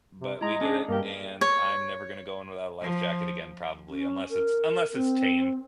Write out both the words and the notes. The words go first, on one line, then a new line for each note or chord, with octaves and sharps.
but we did it, and I'm never gonna go in without a life jacket again, probably, unless it's unless it's tame
C3
G#3 E4 D#5 A#5
C#4 D4 G#4
G2 A#3 G4 A#4
C#5
F3
C#4
A#4
C4